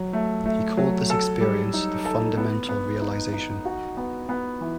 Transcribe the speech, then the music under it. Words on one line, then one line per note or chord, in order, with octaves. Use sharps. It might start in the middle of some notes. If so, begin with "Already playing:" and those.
He called this experience the "Fundamental Realization".
Already playing: F#3
A3
A3
F#3
A4
G3
D#4
A4
B3
B3
D#4
D#4
F#4
B3
B3
E3